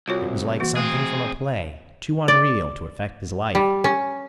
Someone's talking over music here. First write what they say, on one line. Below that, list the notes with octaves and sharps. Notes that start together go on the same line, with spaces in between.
It was like something from a play, too unreal to affect his life.
C2 F4 F#4 C#5
E3 A#3 F#4
A3 C4 G#4
D5
G3
C#4